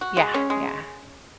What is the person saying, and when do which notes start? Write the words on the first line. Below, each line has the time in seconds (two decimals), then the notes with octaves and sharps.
Yeah, yeah.
0.01 F#4
0.17 G#3
0.34 C#4
0.50 G#3